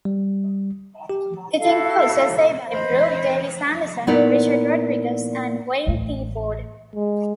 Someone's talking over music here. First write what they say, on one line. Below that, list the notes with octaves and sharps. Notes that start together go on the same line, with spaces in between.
It includes essays by Brooke Davis Anderson, Richard Rodriguez, and Wayne Thiebaud.
G3
G4
E4 F#4 A4 F5
C5 D#5 B5
A#2 B3 D#4 E4 D5
A1 A3
G#3